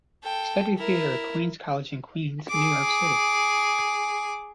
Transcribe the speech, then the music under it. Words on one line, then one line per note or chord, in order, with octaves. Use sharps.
He studied theater at Queens College in Queens, New York City.
A4 G5
E4 A#4
G#4 D6